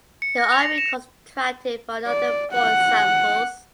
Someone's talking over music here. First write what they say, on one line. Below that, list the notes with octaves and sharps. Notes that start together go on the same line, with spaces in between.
The Army contracted for another four examples.
C#7
A#6
F7
A#6
E7
D5
F#5